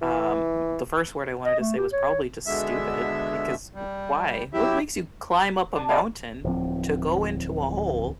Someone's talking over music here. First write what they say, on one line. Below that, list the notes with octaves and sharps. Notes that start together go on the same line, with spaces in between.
Um, the first word I wanted to say was probably just "Stupid" because w why? What makes you climb up a mountain to go into a hole
E3
D#5
A3
G4
C#5
B2 D3 G#3 E5
G3
F#3 E4 G4 E5
D4 A5
G3 A3 B3 D5 D#5 F5
D1 F3 C4